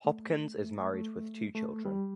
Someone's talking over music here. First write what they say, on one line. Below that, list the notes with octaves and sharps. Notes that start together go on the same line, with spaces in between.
Hopkins is married with two children.
A3
A3
A3
A3
G3